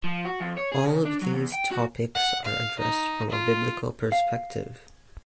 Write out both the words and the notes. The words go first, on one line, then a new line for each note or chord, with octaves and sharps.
All of these topics are addressed from a Biblical perspective.
F3
F#4
F2
C#5
G#4
C#3
D4
F#3
E2
G5
F#4
F#5
F5
D#4
F4
F5